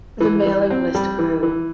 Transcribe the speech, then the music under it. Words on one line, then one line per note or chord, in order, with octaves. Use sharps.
The mailing list grew.
E3
E3
C4
G3
E3
E3